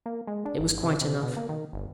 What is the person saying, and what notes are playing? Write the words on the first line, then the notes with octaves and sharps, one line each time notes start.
It was quite enough.
A#3
G#3
D4
G1
C3
C3
B2
A#3
D#3
G1